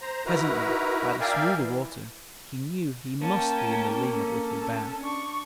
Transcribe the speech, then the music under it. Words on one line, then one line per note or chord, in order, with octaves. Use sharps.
Presently, by the smoother water, he knew he must be in the lea of Little Bear.
C5 A#5
D#4 E4 F#4 A#4 B4 A#5
A#4 D5 E5 F5 G5 G#5
E3
A#3 C#4 G5 A5
A4
D4 C#6